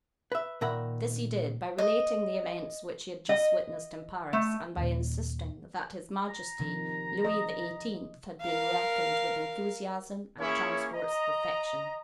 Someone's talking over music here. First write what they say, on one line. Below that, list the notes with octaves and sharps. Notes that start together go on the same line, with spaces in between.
This he did, by relating the events which he had just witnessed in Paris, and by insisting that His Majesty, Louis XVIII., had been welcomed with enthusiasm and transports of affection.
B4 E5
A#2 D#3 A#4 E5 F#5 B5
D#5
D#5
A3
D#2 A#2
A#5
C3 D#3 F3
D#5
A#4 F5
A#3 C#4 E4 G#4 C#5
D#5 A#5